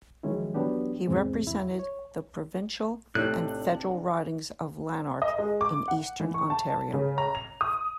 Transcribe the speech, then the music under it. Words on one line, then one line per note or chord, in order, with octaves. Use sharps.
He represented the provincial and federal ridings of Lanark in eastern Ontario.
D#3 F3 F#3 G#3 C#4 E4
E3 F#3 B3 D4 G4
E2 G#2 C3 E3 G#3 C4
E2 E4
C#5
A2 C3 D4 D#4 F#6
D#5
G#3
D6
F#5
E3
C#6
A5
C#3
A#5
F7
D#6